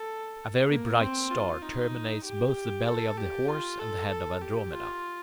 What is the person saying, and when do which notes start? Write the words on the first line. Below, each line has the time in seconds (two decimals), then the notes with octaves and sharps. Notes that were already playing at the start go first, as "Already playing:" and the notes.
A very bright star terminates both the belly of the Horse and the head of Andromeda.
Already playing: A4
0.69 A#3
1.00 C4
1.31 F4
1.62 D#4
2.25 G4
2.87 A4
3.17 G4
3.48 F4
3.79 A4
4.10 A4
4.42 G4
4.73 F4